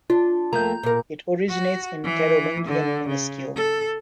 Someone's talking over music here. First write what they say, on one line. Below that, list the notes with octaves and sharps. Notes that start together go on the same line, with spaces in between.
It originates in Carolingian minuscule.
D4 F4
F2 A3 A#3 A#5 G6
A#2 A#4
F#4
E3
D3
C#3
A4